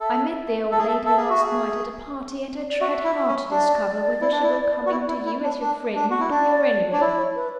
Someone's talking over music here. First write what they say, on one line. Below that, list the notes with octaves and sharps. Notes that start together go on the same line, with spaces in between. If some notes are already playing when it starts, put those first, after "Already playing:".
I met the old lady last night at a party, and I tried hard to discover whether she were coming to you as your friend or your enemy.
A4 E5
A4
G#4
A4
A4
G#4
F#4
G#4
D5
F#4 E5
E4
C#4
D4 D5
E4
D4
E4
F#4
E4
E4
E4
D4
D4
D4
F#4
E4
D4 D5
D4 C#5
E4 D5
C#5
B4